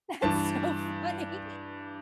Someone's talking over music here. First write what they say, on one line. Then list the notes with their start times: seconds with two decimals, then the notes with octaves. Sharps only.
That's so funny.
0.22 G2 E3 A5